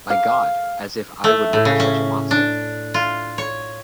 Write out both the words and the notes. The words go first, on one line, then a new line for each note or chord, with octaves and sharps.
By God, as if I would rear such a monster!
F5
A3
A2
C#3
C#4
D4
F4
C#5